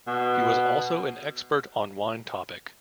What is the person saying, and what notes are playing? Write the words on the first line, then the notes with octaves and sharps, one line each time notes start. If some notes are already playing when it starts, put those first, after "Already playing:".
He was also an expert on wine topic.
B2